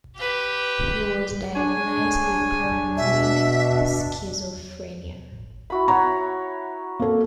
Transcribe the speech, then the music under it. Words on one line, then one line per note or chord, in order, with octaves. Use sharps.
He was diagnosed with paranoid schizophrenia.
G4 B4
D4 G#4 C#5 G#5
B2 E5
E4 F#4 B5
C#5 F#5 A#5
A#3 A4